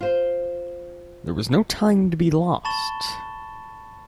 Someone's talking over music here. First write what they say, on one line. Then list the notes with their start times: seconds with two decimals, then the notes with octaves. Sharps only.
There was no time to be lost.
0.01 F4 C5
2.65 A5 B5 C#6 A6 E7 G7